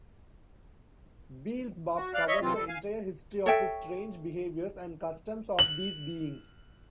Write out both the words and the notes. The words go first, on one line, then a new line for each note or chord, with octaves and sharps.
Beelzebub covers the entire history of the strange behaviors and customs of these beings.
F#4
D5 F5 F6 F#6
C#5 D#5 E5 C#6
C3 E3 F#3 C4 F4
G3 A4
F5 G#5
A4 C#5 E5 G5
F#7